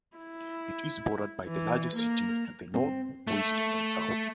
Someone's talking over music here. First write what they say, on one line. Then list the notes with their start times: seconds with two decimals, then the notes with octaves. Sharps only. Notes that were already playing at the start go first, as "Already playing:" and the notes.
It is bordered by the larger city to the north, west, and south.
0.17 E4
1.47 E3
1.96 A#3 A#4
2.74 C4
3.27 A3